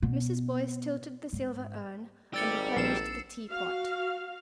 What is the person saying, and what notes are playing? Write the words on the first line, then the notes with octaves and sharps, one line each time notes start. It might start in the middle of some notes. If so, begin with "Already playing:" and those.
Mrs. Boyce tilted the silver urn and replenished the tea-pot.
B2
G#2
G#1 G4 D5 E6 A6 C#7
A#1 C7 E7
F#4 F5